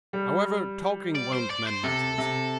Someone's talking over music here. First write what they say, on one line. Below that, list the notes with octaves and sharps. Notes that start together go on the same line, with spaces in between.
'However, talking won't mend matters.
G3
D5
C5
D5
C5
C3 A4
C3